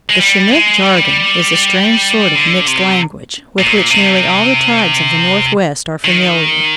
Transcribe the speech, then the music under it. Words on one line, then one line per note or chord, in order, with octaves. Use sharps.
The "Chinook" jargon is a strange sort of mixed language with which nearly all the tribes of the Northwest are familiar.
G#3
G3
G#3
G3
D3
C3
A#2
C3
D#3